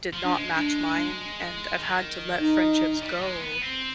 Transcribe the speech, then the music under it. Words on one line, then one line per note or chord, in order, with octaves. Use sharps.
did not match mine, and I've had to let friendships go
F3
D4
G#3
G3
G#3 D4
D#3
D#4
G3
G#3
B3
C4